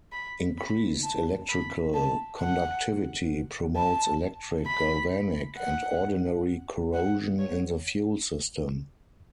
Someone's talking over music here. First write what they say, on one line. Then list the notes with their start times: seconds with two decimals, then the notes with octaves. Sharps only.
Increased electrical conductivity promotes electric, galvanic, and ordinary corrosion in the fuel system.
0.12 B5
0.58 B5
1.03 A5
1.49 B5
1.94 A5
2.40 F#5
3.76 A5
4.66 B5
5.57 F#5
6.94 F#5
7.39 C#5